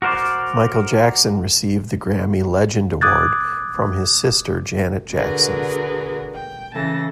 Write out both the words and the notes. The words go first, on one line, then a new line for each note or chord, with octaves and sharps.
Michael Jackson received the Grammy Legend Award from his sister Janet Jackson.
F#4 A#4 C5 D5
D6 D#6 F#6 G#6 A6
D3 F#4 G#4 A#4 B4
G5
C#3 E3 A4 A5 A#6